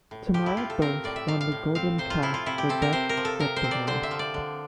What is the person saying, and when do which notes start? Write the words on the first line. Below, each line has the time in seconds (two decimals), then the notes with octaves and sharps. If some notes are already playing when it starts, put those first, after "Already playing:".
Tamara Bos won the Golden Calf for Best Script award.
0.11 A2
0.34 F3 G4
0.46 E4
0.57 A2 F4
0.70 A4
0.82 C4 A#4
1.04 A2 D5
1.16 E5
1.27 F3 F5
1.41 F5
1.52 A2
1.75 C4 F5
1.98 C3 C5
2.10 F4
2.22 F3 E4
2.34 F4
2.46 C3 E4
2.58 G4
2.69 C4 A4
2.82 A#4
2.93 C3 C5
3.09 A#4
3.17 F3
3.25 A4
3.39 C3 A#4
3.56 C5
3.64 C4
3.71 D5
3.87 D3 C5
4.03 E5
4.11 F3
4.19 D5
4.34 D3